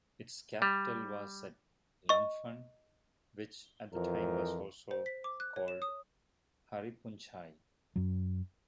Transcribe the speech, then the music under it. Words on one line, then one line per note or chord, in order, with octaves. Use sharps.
Its capital was at Lamphun, which at the time was also called Hariphunchai.
G3
D#5 C#6
F2 E3 F3 A#4
C5
B6
D6
F#6
C#5
E7
D#6
F#2 F#3